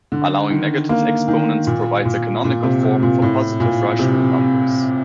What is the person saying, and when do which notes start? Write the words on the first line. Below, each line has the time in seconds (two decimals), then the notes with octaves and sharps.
Allowing negative exponents provides a canonical form for positive rational numbers.
0.12 D3
0.50 D#3
0.89 A#3
1.28 D#3
1.67 A#2
2.05 A#2
2.44 A#2
2.63 C3
2.83 C3
3.03 A#2
3.22 A2
3.60 A#2
3.99 C3